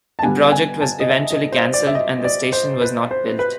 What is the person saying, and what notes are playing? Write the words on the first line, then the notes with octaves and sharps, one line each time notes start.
The project was eventually cancelled and the station was not built.
A5
D3 G3 B3 D4 G#5
G#5
A5
D#5
E5
D#5
C5
D5
E5
D#5
D5
C5
B4
C5
B4